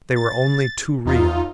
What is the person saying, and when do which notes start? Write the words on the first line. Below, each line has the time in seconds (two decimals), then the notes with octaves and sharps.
They were only too real.
0.16 A6
1.06 E2 D#4 F4